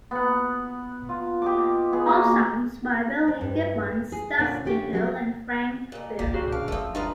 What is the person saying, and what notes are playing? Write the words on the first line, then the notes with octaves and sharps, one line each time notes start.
All songs by Billy Gibbons, Dusty Hill and Frank Beard.
B3 F#5
F4
G4 D#5 D6
B3 G#4
A#3 F#4
C4
G2
G#4
A#2 D3 C#4 D4
D3 C#4 G4
F#3 A4 A#4
F2 A#2
G#1 C#2 G3 A#3
C#2 C#3 A#3 F#4 G4 C5
D4 F5
F#1 D2 F3 A3 E6
G2 A3 D#4 F4 B4